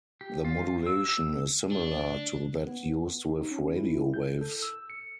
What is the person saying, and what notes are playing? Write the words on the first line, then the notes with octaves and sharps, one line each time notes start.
The modulation is similar to that used with radio waves.
G4
F4
E6
D4
B3
D#4
C#4
E4
G6
A4
E6
C#7